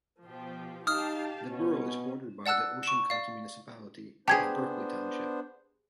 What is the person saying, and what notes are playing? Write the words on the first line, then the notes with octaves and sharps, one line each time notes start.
The borough is bordered by the Ocean County municipality of Berkeley Township.
B2 F3 G4
D#4 G4 F5 A5 D#6 F6
B2 C#4
D5 F#5 A5 E6 F#6
C#6 E7
D5 F5
B3 D4 G4 G#4 C5 A5 G#6